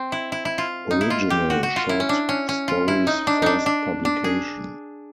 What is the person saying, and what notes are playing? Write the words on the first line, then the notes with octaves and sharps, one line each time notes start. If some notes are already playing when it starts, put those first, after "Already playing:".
Original short stories first publication.
Already playing: C4
E4
E4
E4
F4
D#4
E4
F4
G4
F#4
F#4
F4
E4
C#4
D4
C#4
C#4
F4
E4
D#4
D4
D4 D#4
D4
D4
G#4